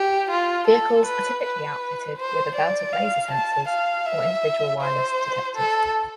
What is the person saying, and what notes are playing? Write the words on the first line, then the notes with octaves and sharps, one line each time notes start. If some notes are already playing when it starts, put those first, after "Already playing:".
Vehicles are typically outfitted with a belt of laser sensors or individual wireless detectors.
Already playing: G4
F4
A4
B4
B4
C5
D5
F5
A5
F5
E5
C5
A4